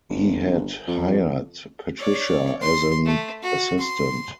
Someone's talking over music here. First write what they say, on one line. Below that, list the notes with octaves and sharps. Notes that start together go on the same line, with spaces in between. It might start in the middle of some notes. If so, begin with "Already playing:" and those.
He had hired Patricia as an assistant.
G1
F2
C#5 D5
C6
A3
F#4
C6